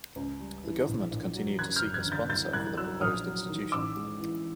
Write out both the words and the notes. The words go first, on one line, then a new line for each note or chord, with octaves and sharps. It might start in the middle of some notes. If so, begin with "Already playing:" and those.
The government continued to seek a sponsor for the proposed institution.
C#2
G3
E3
A#1
A#1
F#3
F#1 F#6 G#6
F6 G6
F#1
F#6 G#6
D3
G6 A6
C2 G6 A6
C2 F#6 G#6
F#3 E6 F#6
A#1 D#6 F6
F#3
D#3
A1 D6 E6
G#3
E3